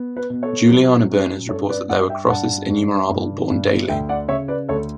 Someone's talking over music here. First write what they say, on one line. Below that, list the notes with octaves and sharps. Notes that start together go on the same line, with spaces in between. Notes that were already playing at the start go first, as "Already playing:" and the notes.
Juliana Berners reports that there were "Crossis innumerabull born dayli".
Already playing: B3
B4
B2
A4 C#5
F#3
C#4
G2 A4 C#5
B4 D5
G2 D5 F#5
E5 G5
G2 F#5 A5
G2
G2
G2
D2 E5 G5
D5 F#5
C#3 C#5 E5
B4 D5
D2 A4 C#5